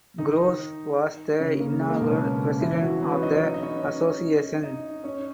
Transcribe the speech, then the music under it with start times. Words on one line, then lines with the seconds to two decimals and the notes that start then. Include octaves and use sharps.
Groves was the inaugural president of the association.
0.18 D#3 D#4
1.40 C#3 C#4
1.60 A#3
1.81 G#3
1.90 A#3
2.00 B2 B3
2.10 C#3 C#4
2.61 E3 E4
2.82 F#3 F#4
3.02 B3 B4
3.12 C#4 C#5
3.22 D#4 D#5
3.32 C#4 C#5
3.42 D#4 D#5
3.54 D#5
3.63 C#4 C#5
3.82 C#4 C#5
4.63 D#4 D#5
5.04 C#4 C#5